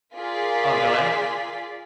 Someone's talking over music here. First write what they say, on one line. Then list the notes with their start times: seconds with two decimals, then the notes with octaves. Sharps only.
Oh, go ahead.
0.17 F4 G#4 A#4 D5 C6 B6